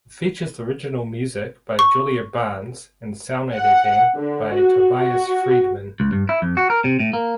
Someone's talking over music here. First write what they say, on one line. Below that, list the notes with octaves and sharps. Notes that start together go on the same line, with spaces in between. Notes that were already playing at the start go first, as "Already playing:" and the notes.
It features original music by Julia Barnes and sound editing by Tobias Friedman.
C#6
F#5
D3
F#4
F#4
C#2
G2
E4
F2
F#4
A#4
C3
A2
A#3